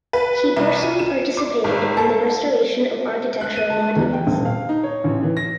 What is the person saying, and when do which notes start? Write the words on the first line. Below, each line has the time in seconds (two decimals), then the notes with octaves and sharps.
He personally participated in the restoration of architectural monuments.
0.13 B4
0.57 C2
0.82 D#7
0.99 E7
1.37 D6
1.64 G#1
1.97 A4
3.41 F#6
3.56 D#7
3.70 A5
3.96 E2
4.13 G5
4.27 D#1
4.45 F5
4.69 D#4
4.83 C#5
5.04 A1
5.23 E3
5.37 A#6